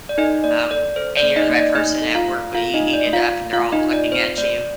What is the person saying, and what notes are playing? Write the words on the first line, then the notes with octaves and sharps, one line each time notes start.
um, and you're the right person at work when you heat it up, they're all looking at you,
D5
D#4 A4 D#5
A#3 D5
A4 D5
A4 C5
D5
A#3
D#4 D#5
A#3
D5
A3 D#4 D#5
A4
F4 F5
A3
F4 A4 F5
D#4 D#5
A3
D5
A3
F4 F5
F4
F4 F5
A3
D#4 D#5
F4
D5
C4 C5
A3 D5